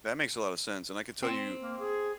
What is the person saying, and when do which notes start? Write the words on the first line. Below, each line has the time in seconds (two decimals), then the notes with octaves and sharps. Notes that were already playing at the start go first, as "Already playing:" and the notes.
That makes a lotta sense, and I could tell you-
1.23 C4
1.61 A#3
1.79 G#4